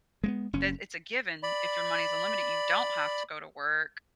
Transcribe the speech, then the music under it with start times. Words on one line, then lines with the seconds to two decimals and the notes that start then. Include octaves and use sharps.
that it's a given, if your money is unlimited, you don't have to go to work,
0.24 G#3 A#3 B3
0.53 F#1 C#4
1.43 D5 B5